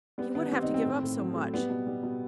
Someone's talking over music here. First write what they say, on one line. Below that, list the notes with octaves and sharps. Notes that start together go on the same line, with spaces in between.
He would have to give up so much.
G3 B3
D#3 B3
G3 C4
D#4
D#3
C4
A2
A2
F#3
A3
G3 B3
B2
G3
B2